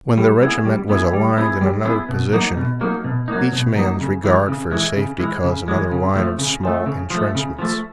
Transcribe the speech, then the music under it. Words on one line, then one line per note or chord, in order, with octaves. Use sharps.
When the regiment was aligned in another position each man's regard for his safety caused another line of small intrenchments.
G3
B3 E4 G#4
G3
B3 E4 G#4
G3
B3 E4 G#4
G3
B3 E4 G#4
B2
F#3 A#3 D#4
B2
F#3 A#3 D#4
B2
F#3 A#3 D#4
B2
F#3 A#3 D#4
C#3
E3 G#3
C#3
E3 G#3
C#3
E3 G#3
C#3
E3 G#3
C#3
F3 A3
C#3
F3 A3
C#3
F3 A3
C#3
F3 A3